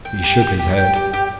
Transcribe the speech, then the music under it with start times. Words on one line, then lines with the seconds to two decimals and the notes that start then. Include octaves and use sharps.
He shook his head.
0.05 G5
0.23 G4
0.42 G4
0.59 G4
0.78 G5
0.95 G4
1.13 G4